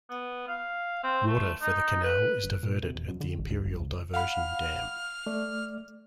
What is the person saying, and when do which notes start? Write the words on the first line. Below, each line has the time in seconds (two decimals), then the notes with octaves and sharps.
Water for the canal is diverted at the Imperial Diversion Dam.
0.10 B3
0.48 F5
1.03 C4
1.27 A3
1.62 D#4
2.04 B4
2.44 G1
2.63 A#2
2.83 C3
2.95 E1
3.08 F#2
3.21 D3
3.39 A1
3.50 D2
3.65 G1
3.80 C#2
4.14 F5 F#5 B5 F6
5.26 A3 D5